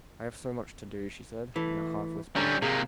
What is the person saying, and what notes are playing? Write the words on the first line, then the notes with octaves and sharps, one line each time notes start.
"I have so much to do," she said, in a half-whisper.
E3 A3
D3 G3 C#4 A#5
C3 A#3 G#4